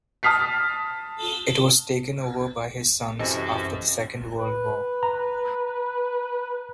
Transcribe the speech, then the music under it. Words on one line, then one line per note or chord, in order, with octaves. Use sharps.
It was taken over by his sons after the Second World War.
A5 D#6 F6 B6 C7
F#2 C3 E3 F#4 A4 D#5
B4
A#5